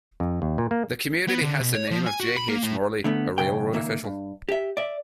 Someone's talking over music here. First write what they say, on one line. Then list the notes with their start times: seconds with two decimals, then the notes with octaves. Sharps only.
The community has the name of J. H. Morley, a railroad official.
0.20 F2
0.42 D#2
0.58 A#2
0.71 A#3
1.28 B3
1.41 D3
1.61 B2
1.75 C#5
1.91 F3
2.06 G#5
2.20 F#4
2.37 B5
2.48 A#3
2.63 A2
3.04 D3 A3 B3
3.38 B1 F#2 C#3 G5
3.73 C#2 D#3 A#3 E5
4.04 G2
4.49 G4 E5
4.77 D5 E5